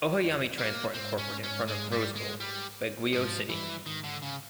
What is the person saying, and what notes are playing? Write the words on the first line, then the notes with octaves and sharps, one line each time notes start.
Ohayami Transport Incorporated in front of Rose Bowl, Baguio City.
F2
A2 A#3
G#2 C4
C#4
C#4
G#3
G3
G#3
G3
G#2 F3
G2 E3
G#2 D#3
D3
C#3